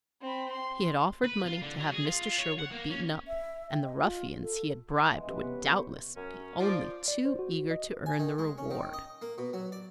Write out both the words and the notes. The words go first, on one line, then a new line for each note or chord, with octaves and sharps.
He had offered money to have Mr. Sherwood beaten up, and the ruffians he had bribed would doubtless be only too eager to earn the reward.
C4 B5
C6
B4
F4
D3
F#3
G#4
F4
F4
C#5
F#5
A#3
C#4
E5
G5
D#5
F4
A4
E3 B3
G#3
C#4 G4 B4
C3 F#3 B3
C5 C#5
F#2 C#4
F3 D5
D5
C5
F#4
D#5
G#5
D#3
G#3
C#4
D#3
D#5
A#3
B2
F#3
D5